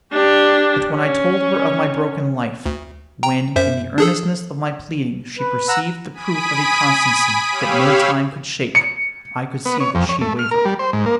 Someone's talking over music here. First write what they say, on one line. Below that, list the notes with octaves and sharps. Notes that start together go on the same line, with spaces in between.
But when I told her of my broken life--when, in the earnestness of my pleading, she perceived the proof of a constancy that no time could shake, I could see that she wavered.
D4 G4
C#4
D2
G5 A#5
F#2 C5 E5
D4 G#4 A4
B4
F#5 A#5 E6
G#5 B5 D#6 B6 D7 D#7
G4 C#5 F5 B5 E6
C#7
B3
C#5
F2
C#5
A3
F6
A#4
G3
C5
G#2
A#3